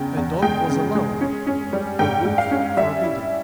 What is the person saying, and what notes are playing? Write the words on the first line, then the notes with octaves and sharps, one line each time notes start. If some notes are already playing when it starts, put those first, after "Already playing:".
A dog was allowable; a wolf forbidden.
Already playing: E2 C#3 G5
E2
G#3 G5
C#3
G#3
C#4
C#4
G3
G#2 G5
G#2
F5
C#4
G3 E5
E4